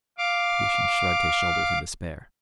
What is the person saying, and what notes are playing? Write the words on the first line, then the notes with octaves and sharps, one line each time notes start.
Lucian shrugged his shoulders in despair.
F5 D6